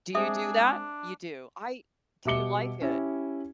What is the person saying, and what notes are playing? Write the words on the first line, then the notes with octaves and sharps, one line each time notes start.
Do you do that? You do, I Do you like it?
G#3 C4 D4 G#4 E5 D6 D#6
B2 G3 E5 D6 C#7 G7
C#4 E4 G4